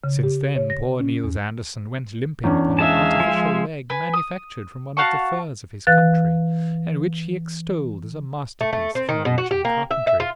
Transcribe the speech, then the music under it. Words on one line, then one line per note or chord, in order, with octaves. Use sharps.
Since then poor Niels Andersen went limping upon an artificial leg manufactured from one of the firs of his country, and which he extolled as a masterpiece of Norwegian carpentry.
C#3
G4
C#5
A#6
C#4
E2
E2 C#4 D4
G#3 E5 F5 G#5 A5
F3 G#3
B4 G#5
D#6
F#4 F5 A5 C#6
E3 B4 F5 F#6 A6
A3
A3
C4
D#3
B2
F#4
G4
A#3
E5
E5
F4